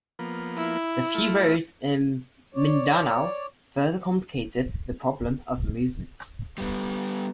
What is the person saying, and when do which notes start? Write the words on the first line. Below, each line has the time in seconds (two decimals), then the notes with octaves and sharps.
The few roads in Mindanao further complicated the problem of movement.
0.19 F3 A#3 B3
0.57 E4
1.15 A3 F4
2.53 C#5 D5
6.58 G3 B3